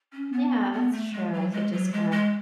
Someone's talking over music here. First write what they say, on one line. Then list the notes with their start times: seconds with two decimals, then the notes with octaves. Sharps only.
Yeah, that's true, I could just kind of
0.12 C#4
0.33 B3
0.73 B3
0.92 A3
1.13 G#3
1.33 F#3
1.52 G#3
1.73 F#3
1.93 G#3
2.11 G#3